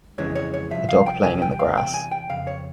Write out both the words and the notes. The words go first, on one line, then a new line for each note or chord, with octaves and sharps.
A dog playing in the grass.
F2 C#3 E3 G#3 C#5
C#5
C#5
C2 C3 F3 E5
F5
G5
E2 C3 G3 G#5
G5
F5
E2 C3 G5
G#5
G5
F2 C#3 F5
C#5